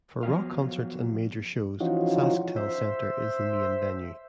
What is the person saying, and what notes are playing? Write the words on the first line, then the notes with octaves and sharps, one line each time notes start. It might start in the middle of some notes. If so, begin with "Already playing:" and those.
For rock concerts and major shows, SaskTel Centre is the main venue.
F3 F#3 B3 F4 G4 F5
E3 F3 C#4 D#4 F4 F#4
C5 E5